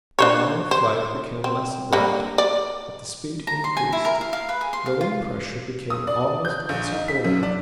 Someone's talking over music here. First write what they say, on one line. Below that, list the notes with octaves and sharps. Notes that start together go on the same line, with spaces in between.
Our line of flight became less abrupt, but the speed increased, the wind-pressure became almost insupportable.
D4 C5 C#5
C5
C4
D3 G3 A#3
D5
A#5
C6
G#5
E4
A#4
F5
F5
B4
G#4
C6
F5
F4
D#6
D5
G6
A#1
D#4
B6
F#2
D4